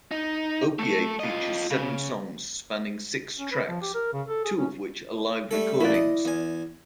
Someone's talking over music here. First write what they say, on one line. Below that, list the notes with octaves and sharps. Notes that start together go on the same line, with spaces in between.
"Opiate" features seven songs spanning six tracks, two of which are live recordings.
D#4
A3 A4
F4 D#5
C#3
C#4
B4
F3
G4
A#4
C#3
A4
G#4
C#4
G3 A3 A4
A1 A#3 E4 D5
D#5
E2 G#5